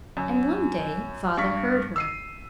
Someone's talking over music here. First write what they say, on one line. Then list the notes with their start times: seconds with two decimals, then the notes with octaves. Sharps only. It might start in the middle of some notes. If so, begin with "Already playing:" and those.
And one day father heard her.
0.17 F#2
1.37 G2 C#6 B6
1.96 E6 C7 D#7